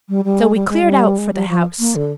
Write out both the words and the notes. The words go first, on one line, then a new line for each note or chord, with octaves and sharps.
So we cleared out for the house.
G3
G3
G#3
G3
G#3
G3
G#3
G3
F3
A#3
D3